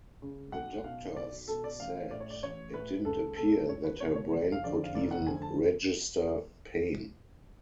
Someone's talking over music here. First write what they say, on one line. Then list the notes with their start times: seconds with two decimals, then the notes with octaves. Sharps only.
The doctors said it didn't appear that her brain could even register pain.
0.22 C#3
0.52 B1 F#5
0.84 B2 F5
1.16 B1 D5
1.48 B2 A4
1.64 D5
1.79 A1 F5
2.11 A2 D5
2.20 C#5
2.30 D5
2.43 A1 C#5
2.74 A2 B4
3.05 C#2 A4
3.37 B2 A4
3.69 C#2 C#5
3.84 B4
4.00 B2 C#5
4.15 C#5
4.32 F1
4.52 F5
4.63 F2 D3 D5
4.84 F5
4.95 F1 D5
5.11 F#5
5.27 F2 D3 G#5
5.42 A5